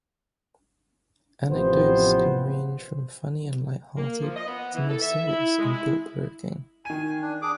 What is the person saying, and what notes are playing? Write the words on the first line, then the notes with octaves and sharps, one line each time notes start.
Anecdotes can range from funny and light-hearted to more serious and thought-provoking.
A1 C3 F3 B3 C5
A#3
F3
D#5
B3
E3
A4
E5
E4
G#3
E4
D#3 G#5 D#7
D4
D4 G#4 D6